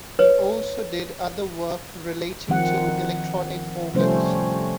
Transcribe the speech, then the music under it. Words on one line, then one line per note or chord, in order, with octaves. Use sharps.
He also did other work relating to electronic organs.
B4 C#5
D#3 F3 C4 F#5
C3 F3 G3 A3 C#4 C5